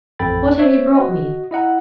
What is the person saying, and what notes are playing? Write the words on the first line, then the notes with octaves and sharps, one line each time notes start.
What have you brought me?'
A1 F2 A4 G5 B5 A6
C5 C#5 E5
F#4 D#5
E4 D#5 F#5 A#5